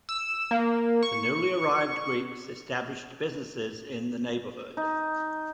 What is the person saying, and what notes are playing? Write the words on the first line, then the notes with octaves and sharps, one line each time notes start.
The newly arrived Greeks established businesses in the neighborhood.
E6
A#3
C#6
D#4